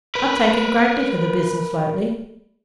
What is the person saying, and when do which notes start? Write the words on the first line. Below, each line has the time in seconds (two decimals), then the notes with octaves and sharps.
I've taken greatly to the business lately.
0.15 A#4 B4